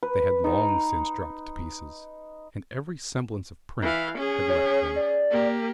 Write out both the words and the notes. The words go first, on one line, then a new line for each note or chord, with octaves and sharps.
They had long since dropped to pieces, and every semblance of print had left them.
B4
D#4
E3 F5
C#4 G#4
C#5
D5
A#3 G4